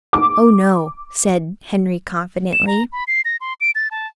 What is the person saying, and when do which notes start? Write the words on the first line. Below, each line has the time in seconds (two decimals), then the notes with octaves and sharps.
"Oh, no," said Henry confidently.
0.13 D6
2.53 E7
2.67 A#5
2.92 B5
3.07 C7
3.25 A#6
3.41 C6
3.61 D7
3.75 A6
3.91 A5